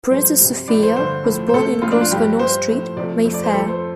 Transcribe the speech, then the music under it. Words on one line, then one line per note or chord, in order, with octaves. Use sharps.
Princess Sophia was born in Grosvenor Street, Mayfair.
G2 F3 A3 C5
C3 G3
A2 F3 A3 D5
C5
G2 D3 A3 C5
A2 F3 A3
C5
C3 A3 A4
A2 F3 A3 F4
D4
F4
G2 F3 A3 G4
G2 G3 C5
A2 F3 A3
C3 F3 A3 D5
F2 F3 A3
D5
C5
F2 F3 A3 A4
C5